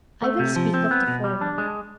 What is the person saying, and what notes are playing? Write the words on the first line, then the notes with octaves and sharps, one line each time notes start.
I will speak of the former.
A3
C3
F3
C4
B3
B2
G3
D4
G#3